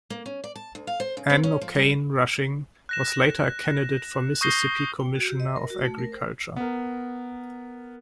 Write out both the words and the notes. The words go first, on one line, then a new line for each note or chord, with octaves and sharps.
Ann O'Cain Rushing was later a candidate for Mississippi Commissioner of Agriculture.
A#3
C#4
D5
A5
D2
F5
C5
C#3
C4
C#4
F3
G3
F#6 A#6 E7
C#6 D#6 G6 A#6 C7 G7
G5
F#4
G4
D#5
A#4
F#4
A3
A#4
C5
B3 A#4